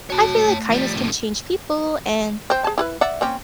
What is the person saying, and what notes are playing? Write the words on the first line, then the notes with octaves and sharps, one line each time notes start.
I feel like kindness can change people, and
F#4 C#5 A5
A3
F3 G3
C3 D#3
C4 C5
G#4 A5
E4 G#4 B4
D5 E5 F#5
A#3 C4 C#4